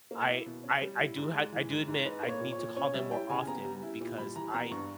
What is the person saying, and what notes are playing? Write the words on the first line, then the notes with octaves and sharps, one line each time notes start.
I I I do ha I do admit I need to call them more often because I
A#3
E4
B2
C#4
G3
E4
G#2
G#3
E3
G#2
G#2
D#4 B4
A#3
C#5
A#2
C#5
A#2
C#4 C#5
G3 E5
E4 G5
C#3 G#5
B3 A#5
G3
E4
A#2
G3 B5
E3 A#5
B3 A#5
G2 C#6